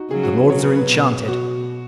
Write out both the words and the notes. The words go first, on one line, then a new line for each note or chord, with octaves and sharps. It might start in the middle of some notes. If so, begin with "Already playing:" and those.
The lords are enchanted.
Already playing: D#4 F#4
C#3 F#3 G#4
F#4
B4
C#3 F#3 C#5
B4
B4
B2
B2 F#4